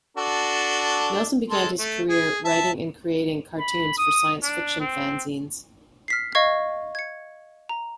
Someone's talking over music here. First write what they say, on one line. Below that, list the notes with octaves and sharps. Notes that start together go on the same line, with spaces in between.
Nelson began his career writing and creating cartoons for science fiction fanzines.
D4 F#4 A4
G#3 A4 C6
A3
G#4
E5 A5
B5
D#6
D4
C4
F6 B6 C7
D#5 F5 C#6 G#6
G#6 C#7
A#5